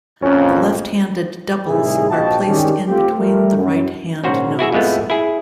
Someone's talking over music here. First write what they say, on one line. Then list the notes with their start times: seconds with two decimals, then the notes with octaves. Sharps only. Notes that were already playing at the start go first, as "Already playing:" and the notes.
The left-handed doubles are placed in between the right hand notes.
0.22 A#1 F2 C#4
1.68 A2 C3 D#3 G3 E4 G#4
2.10 A#1 F3 F#4 D#5 G5 A5
2.45 D#3 G#3 C#4 D4 G4
2.88 A3 C4 F4 G4
3.17 G3 A3 A#4
3.56 F#2
4.23 A#1 G#2 C#3 F#4 C5
4.59 E4 F#4 G#4 E5
4.72 F2 A2 G#3 A3 B3
5.10 E4 G#4